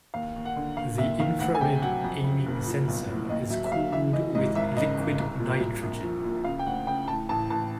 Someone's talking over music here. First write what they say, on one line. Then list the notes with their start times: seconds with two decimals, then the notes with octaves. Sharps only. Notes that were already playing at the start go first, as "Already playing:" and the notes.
The infrared aiming sensor is cooled with liquid nitrogen.
0.14 D#2 F5
0.36 D#2
0.45 F#5
0.56 D3
0.77 D#2 F5
0.98 D#2 E5
1.20 D#3 F5
1.40 D2 F#5
1.55 G#5
1.61 C3 G5
1.82 F#3 F#5
2.04 F2
2.24 C#3
2.46 F#1
2.67 F3
2.88 B1
3.09 A2
3.29 D#2 D#5
3.50 F#3 E5
3.66 E5
3.72 F#3 F5
3.93 E3 E5
4.13 E3 D#5
4.35 G#2 D#5
4.56 G#1 E5
4.77 C#3 D#5
4.98 G#1
5.19 C2
5.40 A#2
5.60 C2
5.82 A#1
6.03 F3
6.24 A#2
6.44 C#3 F5
6.59 G5
6.66 D2 F#5
6.87 C#3 G5
7.08 A2 A5
7.29 A1 A5
7.50 A1 A5